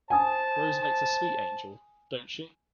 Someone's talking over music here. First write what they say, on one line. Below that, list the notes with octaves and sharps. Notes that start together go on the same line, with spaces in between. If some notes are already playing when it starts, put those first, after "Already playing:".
Rose makes a sweet angel, don't she?
C5 G#5 A5 D#6